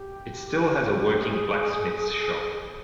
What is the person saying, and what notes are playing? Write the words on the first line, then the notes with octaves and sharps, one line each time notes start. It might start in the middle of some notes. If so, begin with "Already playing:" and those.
It still has a working blacksmith's shop.
Already playing: G4
G#4